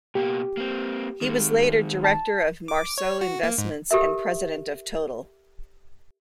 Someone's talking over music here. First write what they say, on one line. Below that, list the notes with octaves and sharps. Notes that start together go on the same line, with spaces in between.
He was later director of Marceau Investissements and President of Total.
B2 A#3 G4
A#3 C4
D#3 G#3
A5
D6
C#5
F#4
A#3
G#2
G4 A4 A#4 E5